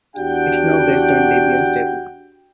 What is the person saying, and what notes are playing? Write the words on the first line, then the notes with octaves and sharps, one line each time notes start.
It's now based on Debian Stable.
E2 D4 F#4 G4 F#5 G5